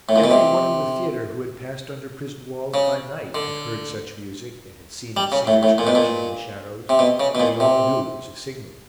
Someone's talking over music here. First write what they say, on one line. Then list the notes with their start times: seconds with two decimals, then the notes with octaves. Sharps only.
Every one in the theatre who had passed under prison walls by night had heard such music and had seen the singers crouching in the shadows; we all knew it was a signal.
0.09 A2
0.16 A#2
0.24 B2
0.31 C3
2.74 C#3
3.35 D3
5.17 G3
5.32 C#3
5.47 A2
5.63 A2
5.78 A#2
5.87 B2
5.95 A#2
6.89 C3
6.99 B2
7.20 C#3
7.35 B2
7.40 A#2
7.60 C3